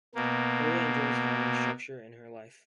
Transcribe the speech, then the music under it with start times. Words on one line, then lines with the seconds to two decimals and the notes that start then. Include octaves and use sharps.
Harriet enjoys having structure in her life.
0.15 B2 A#3